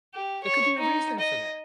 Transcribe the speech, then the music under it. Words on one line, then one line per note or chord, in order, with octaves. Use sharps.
there could be a reason for that.
G4
C#5
D#4
D#5